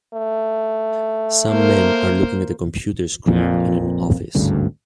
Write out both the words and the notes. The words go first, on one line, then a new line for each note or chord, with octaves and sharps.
Some men are looking at a computer screen in an office.
A3
A#3 A#4 C5
A#1 F2 A#2
G#1 D2 G2 C#3